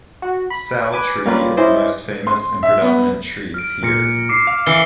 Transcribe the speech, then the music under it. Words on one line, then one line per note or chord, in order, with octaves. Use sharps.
Sal tree is the most famous and predominant trees here.
F#4
B5
B4 G#5 D6
G3 A#3 C#4 F4 B4 D5
C#4 E4 C5 D5 D#5
C6
E5
B3
F6 D7
A#2 F6 A#6 C#7
D6 C7 D7
F5
E3 E6 C#7 G7